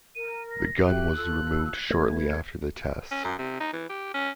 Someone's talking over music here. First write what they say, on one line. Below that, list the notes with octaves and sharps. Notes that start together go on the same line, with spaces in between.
The gun was removed shortly after the tests.
A#4 D#7
A#6
F#4 G4 E5 F#6
F4 A4 E6
A3 B4 G#6
C#4
F#2
C3
D#4
E3
G4
C#4